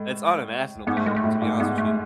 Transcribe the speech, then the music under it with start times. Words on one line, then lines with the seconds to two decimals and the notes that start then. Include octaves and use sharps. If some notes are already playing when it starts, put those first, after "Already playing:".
it's unimaginable, to be honest with you.
Already playing: A2 G#3
0.87 G#2 B3
0.97 A3
1.06 A2 G#3
1.16 A3
1.24 A2
1.42 G#2
1.60 G#2 B3
1.78 A3